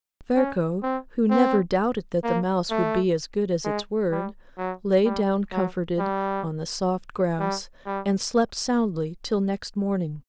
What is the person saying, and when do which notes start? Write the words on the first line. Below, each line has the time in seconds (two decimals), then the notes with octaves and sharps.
Ferko, who never doubted that the mouse would be as good as its word, lay down comforted on the soft grass and slept soundly till next morning.
0.36 C#4
0.83 C4
1.30 C4
2.24 A#3
2.71 A3
3.64 G#3
4.11 G3
4.58 F#3
5.05 G3
5.52 F#3
5.99 G3
7.40 G3
7.86 G3